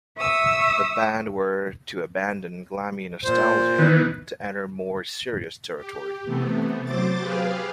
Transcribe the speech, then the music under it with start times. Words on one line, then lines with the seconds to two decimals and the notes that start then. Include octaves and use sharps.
The band were to abandon glammy nostalgia to enter more serious territory.
0.17 E5 C#6 D#6 E6
3.24 A#2 C5
3.79 D#3 E3 B3
5.75 G4
6.25 C3 E3 A3 B3
6.84 F#3 C5 D6 A6
7.19 G4 G#4 B4 F5